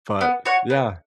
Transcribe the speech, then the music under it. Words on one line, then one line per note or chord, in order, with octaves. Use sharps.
but yeah.
B3
F#4 C#5 F#5
B3